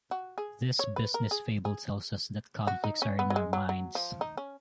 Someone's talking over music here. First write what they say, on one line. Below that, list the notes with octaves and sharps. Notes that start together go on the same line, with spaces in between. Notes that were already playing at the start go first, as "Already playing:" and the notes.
This business fable tells us that conflicts are in our minds.
F#4
G#4
C#5
B4
A#4
G#4
G#4
F#4
D#4
C#4
B3
F#3
G#3
F#3
F#3
F3
D#4
C#4